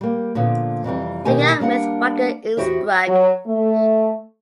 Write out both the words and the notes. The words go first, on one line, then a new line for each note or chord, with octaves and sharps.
Liga with Wacker Innsbruck.
G3 A#3
A#2 D3 F3 B3
F2 C3 E3 G3
B2 D#3 A#3 G4 G#5
G3 A#3 D4 F#5
E2 E4 F#4 G4 C5 E5
F#3
A3